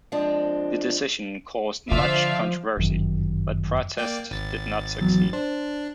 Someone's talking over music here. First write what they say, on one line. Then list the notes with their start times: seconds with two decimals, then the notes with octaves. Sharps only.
The decision caused much controversy, but protests did not succeed.
0.12 F3 G#3 C4 D4
1.91 D3 F3 F4 D5 E5 F5
2.77 G1 F#2 D#3
3.98 A#3 D5 G5
4.31 G#1 A6
5.01 E2 F#3
5.33 D4 C5